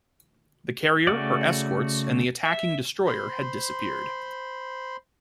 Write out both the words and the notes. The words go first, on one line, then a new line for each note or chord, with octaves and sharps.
The carrier, her escorts, and the attacking destroyer had disappeared.
C#3 A3 F#4 D5
E5
C5 B5 C6